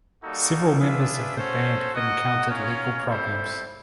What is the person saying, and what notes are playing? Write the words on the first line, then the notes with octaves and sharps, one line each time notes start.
Several members of the band have encountered legal problems.
G3 A#3 D#4 F#4 A4
D4 F4 G#4 B4 E5
C#4 F#4 A4 C5
F#4 A#4 D#5 F#5
C#4 F4 A#4 C#5
G3 C4 E4 A4 C5